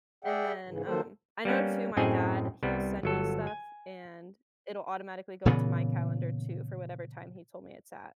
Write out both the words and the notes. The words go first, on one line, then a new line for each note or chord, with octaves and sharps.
And then, um, I know, too, my dad, he'll send me stuff, and it'll automatically go into my calendar too, for whatever time he told me it's at.
G#4 D5 E5 F#5 G5
G#2 C#3 E3
D#3 F3 F#3 A#3 A4 C5
G3 A#3 B3 C#4
F#2 A2 C4 G#4 D#5 G#5
C2 G3 B3
G1 F#3 A4
G#5
A#2 C#3 E3 B3